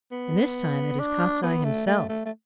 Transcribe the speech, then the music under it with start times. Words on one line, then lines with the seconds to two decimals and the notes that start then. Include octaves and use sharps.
'And this time it is Kostiei himself.
0.11 B3
0.99 D4
1.43 B3
1.65 A3
1.87 A3
2.09 A3
2.25 A3